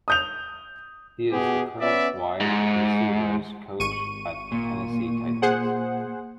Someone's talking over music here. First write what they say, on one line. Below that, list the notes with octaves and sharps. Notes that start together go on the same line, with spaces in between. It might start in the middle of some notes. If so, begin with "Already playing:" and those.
He is the current wide receivers coach at the Tennessee Titans.
D#6 G6 F7
B2 B3 G4 G#4
B3 C#4 D5 E5
G#2
G#1 C#6 D#7
A#2
G#4 C5 F#5